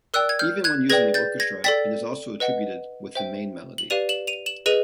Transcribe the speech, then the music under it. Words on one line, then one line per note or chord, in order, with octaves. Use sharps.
Even when used in the orchestra, it is also attributed with the main melody.
A#4 D5 G5 E6 F#6
G#6
F6 G6
F#6 G#6
G#4 B4 D5 G5 G#6 A#6
G6 A6
G#6 A#6
A4 D5 G5 A6 B6
B4 D#5 F#5
C5 E5 G5
F#7
G4 B4 D5 F5 D#7 F7
E7 F#7
D#7 F7
E7 F#7
G#4 B4 D#5 D#7 F7